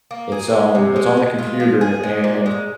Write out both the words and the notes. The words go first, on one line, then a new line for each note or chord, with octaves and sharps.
It's, um, it's on the computer, and
A#3
G#4
G#3
C3
G#3
G#3
F4
F3
G#4
G#3
A#2
G#3